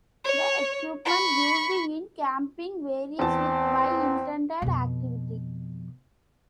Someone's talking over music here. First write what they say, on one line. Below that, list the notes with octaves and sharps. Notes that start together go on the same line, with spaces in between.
The equipment used in camping varies with by intended activity.
C#5
B5 C#6
E2 C4 A5
F2 B2